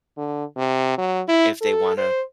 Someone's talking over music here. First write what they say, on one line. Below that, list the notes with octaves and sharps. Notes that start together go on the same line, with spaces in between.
if they wanna
D3
C3
F#3
E4
A4
C5